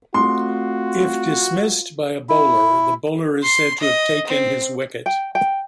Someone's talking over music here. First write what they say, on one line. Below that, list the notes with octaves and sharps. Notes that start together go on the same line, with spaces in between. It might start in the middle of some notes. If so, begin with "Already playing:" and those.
If dismissed by a bowler, the bowler is said to have "taken his wicket".
A3 C4 F4 F#4 C6
E4
C6
D#5
C4
G5
G5